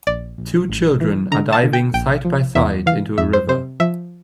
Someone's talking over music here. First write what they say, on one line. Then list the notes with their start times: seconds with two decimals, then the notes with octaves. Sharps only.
Two children are diving side by side into a river.
0.07 A#1 D5
0.38 A#1
0.70 A1
1.00 E3
1.32 D3 A#5
1.53 A5
1.63 D3
1.73 G5
1.94 A#1 G5
2.25 F3
2.55 E2 E5
2.86 E3 F5
3.18 F2 E5
3.33 C5
3.49 C3 C5
3.80 F3 E5